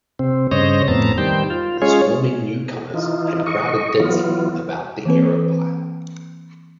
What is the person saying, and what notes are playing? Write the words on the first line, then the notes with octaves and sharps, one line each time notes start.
The swarming new-comers had crowded densely about the aeropile.
C3 C4
G2 C#3 C5 C#5 D#5 A#6
F2 A2 B3 C4 A5 A#5
D#3 G3 C5 G5
F4
G#3 C#4 F4 G#4 C#5
E3 D#4 F4
D#5 C#6
E3 F#3 B3 F4
E3 A#3 C4 B4